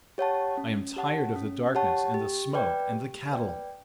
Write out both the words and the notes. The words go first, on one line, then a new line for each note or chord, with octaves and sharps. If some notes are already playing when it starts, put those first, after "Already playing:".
I am tired of the darkness and the smoke and the cattle.
G4 C#5 F#5 A5
C#4
G4 C#5 F#5 A5
C#4
G4 C#5 F#5 A5
G4
B4 D5 G5
G4
B4 D5 G5